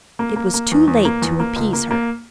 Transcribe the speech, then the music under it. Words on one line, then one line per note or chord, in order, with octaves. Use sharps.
It was too late to appease her.
A#3
A#3
A#3
E2
E2
A#3
E2
A#3
C#2
A#3
A#3